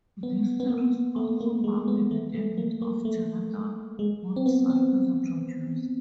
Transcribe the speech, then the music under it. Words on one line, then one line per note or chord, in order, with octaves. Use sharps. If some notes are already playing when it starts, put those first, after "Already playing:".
This series also marked the debut of Jonathan Goodson as a producer.
B3
B3
A#3
A3
A#3
G#3
B3
A3
A3
A#3
A#3
A3
G#3
C4
B3
C4